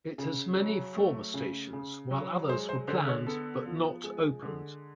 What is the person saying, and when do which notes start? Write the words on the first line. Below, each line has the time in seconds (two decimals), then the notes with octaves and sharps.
It has many former stations, while others were planned but not opened.
0.18 C#3
0.57 F#3
0.96 A3
1.34 C#3
1.73 C#3
2.11 F#3
2.49 G#3 C5
2.69 C5
2.88 D3 C5
3.08 C#5
3.26 B3 A4
3.66 F3
4.04 G#3
4.42 D3